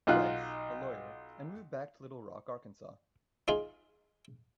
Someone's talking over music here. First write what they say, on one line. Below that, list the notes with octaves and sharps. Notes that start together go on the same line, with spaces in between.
Price, a lawyer, and moved back to Little Rock, Arkansas.
B1 D#4 F4 F#6
D#4 F4 G#4